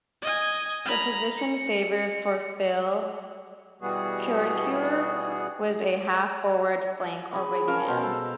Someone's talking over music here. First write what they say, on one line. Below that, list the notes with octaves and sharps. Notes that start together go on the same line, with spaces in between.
The position favoured for Phil Krakouer was as a half forward flank or wingman.
D#5 G#5
A#5 B5
C#7
B2 E3 G3 B3 F#4 G#4
G#4 B5
C#4 A#4 F5 A5
B2 C5
A4